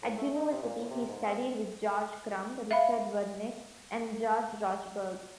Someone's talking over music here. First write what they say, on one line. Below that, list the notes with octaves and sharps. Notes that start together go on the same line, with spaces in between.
At university, he studied with George Crumb, Richard Wernick, and George Rochberg.
A2
A3
D#4
C3
A#2
A2
C3
G#2
C4
E5 F5 B5